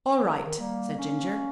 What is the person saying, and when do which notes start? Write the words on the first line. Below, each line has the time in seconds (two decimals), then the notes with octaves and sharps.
"All right," said Ginger.
0.19 E3
0.28 D#3
0.37 C#3
0.45 D#3
0.58 G3 A#3
0.97 A#3 C#4